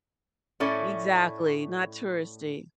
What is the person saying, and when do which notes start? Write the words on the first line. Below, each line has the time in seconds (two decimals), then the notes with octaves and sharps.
Exactly, not touristy.
0.60 A2 A3 C#4 D5